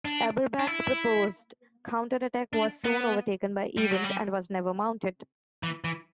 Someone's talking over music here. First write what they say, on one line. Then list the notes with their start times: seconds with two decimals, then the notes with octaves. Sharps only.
Eberbach's proposed counter-attack was soon overtaken by events, and was never mounted.
0.05 D4
0.59 D4
0.67 E4
2.53 D4
2.84 B3
3.77 G3
3.91 F#3
4.04 G3
5.63 E3
5.84 E3